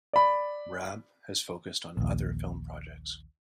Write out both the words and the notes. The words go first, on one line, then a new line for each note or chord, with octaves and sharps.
Raab has focused on other film projects.
D5 B5
A#1 D#2